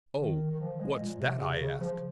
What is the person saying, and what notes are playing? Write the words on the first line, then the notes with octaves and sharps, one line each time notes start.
"Oh! What's that?" I asked.
D#3
D#3
F3
G#3
A#2
C3
C#3
C#3
F3